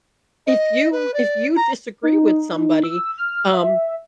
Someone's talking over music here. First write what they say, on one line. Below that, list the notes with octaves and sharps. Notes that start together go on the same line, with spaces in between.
if you if you disagree with somebody, um,
D#5
B4
D5
A#5
D#4
D#4
E6
F6
E5